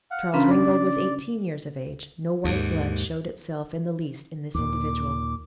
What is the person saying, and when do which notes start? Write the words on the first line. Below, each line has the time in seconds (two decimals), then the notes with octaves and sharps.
Charles Ringgold was eighteen years of age; no white blood showed itself in the least in this individual.
0.11 F5 F#5
0.33 C#3 C#4 D4 F4 A#4 B5
0.50 D5
2.44 D#2 G#2
4.55 D#2 A#2 D6